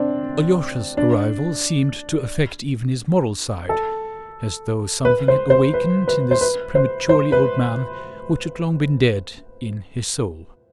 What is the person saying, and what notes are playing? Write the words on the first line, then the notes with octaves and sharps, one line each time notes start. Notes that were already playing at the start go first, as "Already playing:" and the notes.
Alyosha's arrival seemed to affect even his moral side, as though something had awakened in this prematurely old man which had long been dead in his soul.
Already playing: C4 D4
D4
A4
B4
C5
C5
B4
B4
C5
B4
C5
C5
B4